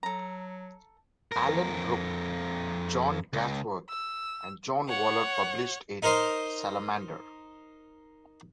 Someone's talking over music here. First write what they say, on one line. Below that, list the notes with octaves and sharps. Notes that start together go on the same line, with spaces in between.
Alan Rook, John Gawsworth and John Waller published in "Salamander".
F#3 A4 A#5
F2 A#4
C#2
E6
C#5 F#5
D#4 A#4 C5 D#5 C6